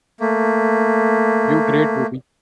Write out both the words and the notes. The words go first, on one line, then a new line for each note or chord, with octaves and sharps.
You great booby!
A3 A#3